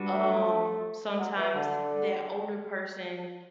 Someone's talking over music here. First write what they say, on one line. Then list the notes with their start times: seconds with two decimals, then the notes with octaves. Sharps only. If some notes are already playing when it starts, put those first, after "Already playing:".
um, sometimes that older person
Already playing: G3 D4 F#4 B4
0.12 A3
1.19 F#3
1.36 E3
1.55 D3